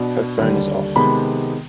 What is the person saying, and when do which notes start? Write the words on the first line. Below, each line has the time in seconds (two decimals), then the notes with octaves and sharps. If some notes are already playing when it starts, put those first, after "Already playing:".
Her phone is off.
Already playing: B2 B3 D4
0.37 D#2 D3 G3
0.96 C3 D#3 G#3 B3 B5